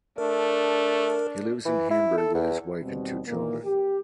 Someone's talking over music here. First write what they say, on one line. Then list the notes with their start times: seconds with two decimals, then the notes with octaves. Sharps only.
He lives in Hamburg with his wife and two children.
0.18 A3 D4 A#4
1.65 E3
1.91 E4
2.17 A4
2.34 E2
2.82 D#2 B2 G3 C4
3.27 A#2 D#3 E3 A#3
3.65 G4